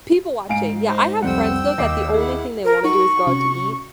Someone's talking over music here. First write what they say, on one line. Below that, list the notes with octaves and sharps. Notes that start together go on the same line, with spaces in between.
People watching, yeah. I have friends, though, that the only thing they wanna do is go out to eat,
G#2 F5 G#5 D7
D#4 C5
C2 F2 G3 C4 F#5 G5 E6
D#2 D#5 F5 D6 C7
E4 G#4 F#5
A#4
D#4 F#4 C#6
C3 C#4 F#4